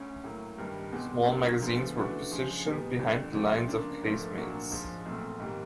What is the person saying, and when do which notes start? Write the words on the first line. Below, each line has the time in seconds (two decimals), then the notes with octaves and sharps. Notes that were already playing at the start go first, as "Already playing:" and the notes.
Small magazines were positioned behind the lines of casemates.
Already playing: D2 C#4
0.24 A2 F#3 A#3
0.58 G2 D#3 G3
0.92 E2 B2 G#3 C4
1.27 A#2 F#3 A#3 D4
1.61 D2 D3 F3 G#3 B3
1.96 C#3 E3 A3 D4 F#4
2.30 C#3 F3 G#3
2.65 A#2 G3 B3 D#4
2.99 G1 F2 D3
3.33 C3 F3 A3 C4
3.67 C#3 F3 A#3 D4
4.02 G#1 G#2 F3 A3
4.37 A#2 F#3 A#3 D4 F#4
4.71 G#2 F3 G#3
5.05 B1 A#2 F#3 A3 C4
5.40 G#2 D#3 G3 A#3